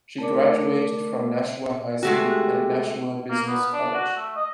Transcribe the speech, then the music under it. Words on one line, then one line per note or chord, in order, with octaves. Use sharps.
She graduated from Nashua High School and Nashua Business College.
A3 A#4 D5 D6
G#3 A3 F#4 G4
A#3
B3
D4
F#4
A3
D#5